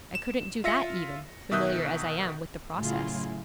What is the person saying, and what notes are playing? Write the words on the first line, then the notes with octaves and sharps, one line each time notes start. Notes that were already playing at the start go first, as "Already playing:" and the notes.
I couldn't do that even, familiar as I am with the process.'
E7
F4 E5 A#6 C#7
B2 D#3 E5 D#6 F#6 G6
A2 C#3 F#3 E4 F4 G#4